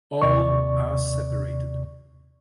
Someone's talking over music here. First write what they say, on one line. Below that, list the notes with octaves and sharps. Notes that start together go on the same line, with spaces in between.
All are separated.
D#2 C3 D5 C#6